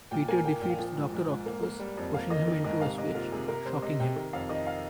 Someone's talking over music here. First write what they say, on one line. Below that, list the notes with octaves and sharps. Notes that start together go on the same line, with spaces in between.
Peter defeats Doctor Octopus, pushing him into a switch, shocking him.
A#2 G5
A#3 G#5
A#3 G5
A#2 G5
F5
F3 G5
G#2
G#2
G#2
A#3
A#3
G3
F2
A#3 F5
A#3 D#5
D#3
G#2 D#5
C3 F5
C3 D#5
A#3 F4
C3 G#4
C3 A#4
C3 C5
C3 D#5
C3 G5
D#3
F2 F5
D#3 D#5
F5